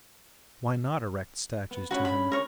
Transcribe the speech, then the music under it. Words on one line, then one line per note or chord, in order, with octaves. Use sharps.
Why not erect statues to him?
B3
D3 C#4 F#4 B5
B5
A#4 C#5